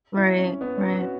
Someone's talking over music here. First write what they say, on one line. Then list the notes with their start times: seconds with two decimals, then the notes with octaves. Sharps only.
Right. Right.
0.16 E4
0.38 C#4
0.61 B3
0.77 C#4
0.94 F#4